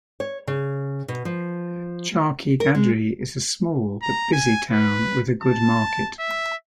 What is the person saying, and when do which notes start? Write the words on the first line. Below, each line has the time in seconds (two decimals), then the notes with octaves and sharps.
Charkhi Dadri is a small but busy town with a good market.
0.20 C#5
0.47 C#3
1.08 B2
1.25 F3
2.60 A#4
2.75 G#3
4.03 A#5
4.33 G#5
4.71 B4
5.43 A5
6.19 E5